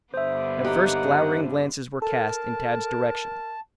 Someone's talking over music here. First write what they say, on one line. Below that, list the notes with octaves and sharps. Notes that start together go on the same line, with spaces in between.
At first glowering glances were cast in Tad's direction.
G2 D3 B3 C5 E5 D#6
A#3 D#4 G4 F#5
A4 A#4 A5